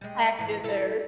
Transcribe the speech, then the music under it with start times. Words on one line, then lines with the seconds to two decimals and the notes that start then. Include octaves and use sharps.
Packed in there.
0.01 G3 G#3
0.39 G#2 E3
0.64 E4 A4